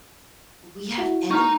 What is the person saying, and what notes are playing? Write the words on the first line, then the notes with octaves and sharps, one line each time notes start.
we have enem
E4 F#4
D#4 A#5 C#6 F6